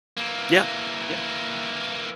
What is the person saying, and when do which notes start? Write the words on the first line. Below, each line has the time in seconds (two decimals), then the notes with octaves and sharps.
Yeah, yeah,
0.17 E3 A#3